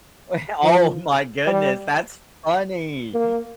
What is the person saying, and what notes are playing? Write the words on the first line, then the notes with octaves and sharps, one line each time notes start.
Oh my goodness, that's funny.
F3
G3
A#3